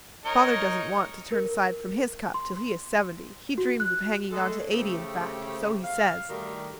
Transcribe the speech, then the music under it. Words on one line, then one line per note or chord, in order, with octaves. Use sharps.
Father doesn't want to turn aside from his cup till he is seventy, he dreams of hanging on to eighty in fact, so he says.
D#4 A#4 C#5
A#4
C6
F#4
F#6
G#3 A3 G#4 A4
C#3 A3 C4 C#4 G4
F5
D#3 G3 A3 F#4 A#4